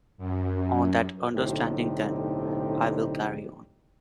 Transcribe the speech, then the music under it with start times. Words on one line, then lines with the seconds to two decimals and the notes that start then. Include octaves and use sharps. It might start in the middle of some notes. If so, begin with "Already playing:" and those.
On that understanding then, I will carry on.
0.18 F#2
1.35 B1 A2 D3 C4 D#4 G4